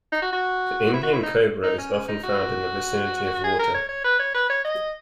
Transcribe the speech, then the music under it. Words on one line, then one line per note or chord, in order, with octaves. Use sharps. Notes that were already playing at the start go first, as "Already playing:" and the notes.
The Indian cobra is often found in the vicinity of water.
D#4
F#4
F#4
E4
F#4
E4
D#4
D#4
C#4
C#4
D#4
F#4
G#4
A#4
C#5
C#5
B4
C#5
B4
C#5
D#5